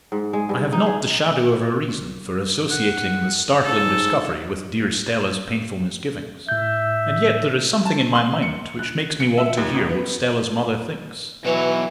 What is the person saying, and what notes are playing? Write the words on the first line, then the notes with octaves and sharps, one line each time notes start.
I have not the shadow of a reason for associating this startling discovery with dear Stella's painful misgivings--and yet there is something in my mind which makes me want to hear what Stella's mother thinks.
G#2
G#3
G2
D#4
G#4
F#5
G#2 A4
A2 E5 G6
A5
C6
C#7
F#6
C#7
E5
D#2
G#1
B3
B2 E3 F#3 B4 C#5